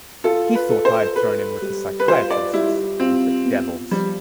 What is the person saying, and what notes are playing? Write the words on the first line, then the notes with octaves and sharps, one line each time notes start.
He thought I had thrown in with the psychiatrists, with the devils.
F4 A4
B4
A4
C5
A4 B4
G3
B4
F4 C5
D5
G3 E4
C4 F4
B3
F3 G3